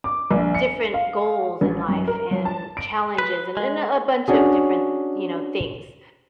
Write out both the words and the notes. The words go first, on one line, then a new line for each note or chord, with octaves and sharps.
different goals in life and challenges and and a bunch of different, you know, things.
D6
A#1
C#7
F5
A1
F#2
A#4
F#3
A5
D7
B4
G#3
C#4 D4 F#4 G#4